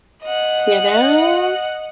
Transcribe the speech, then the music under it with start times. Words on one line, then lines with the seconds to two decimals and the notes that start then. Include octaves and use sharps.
You know?
0.23 D#5 F#5